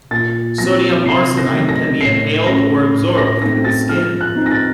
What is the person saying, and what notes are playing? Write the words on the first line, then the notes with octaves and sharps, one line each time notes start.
Sodium arsenite can be inhaled or absorbed through the skin.
A#2 A6
F#3 C4 A#6
C3 C7
A#6
D#3 F#3 A3
A#6
A2 C7
A3 C#4 A#6
A2
A#6
A3 C4 D#4 A#6
A6
F3 F6
F#6
C4 D#4
A#6
A6